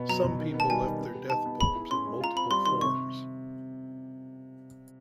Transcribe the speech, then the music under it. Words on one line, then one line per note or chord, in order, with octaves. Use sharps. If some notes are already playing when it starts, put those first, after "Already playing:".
Some people left their death poems in multiple forms.
Already playing: B2 B3
F#3 A#5
B2
D#3
B3
A5
G3 G#5
D#3
B3
G4
D#4 A5
B3
G#4 B5
E4
C#4 C6
G#3
F4 A#5
C4 B5
G3 C6
D#3 C6
C3 C#6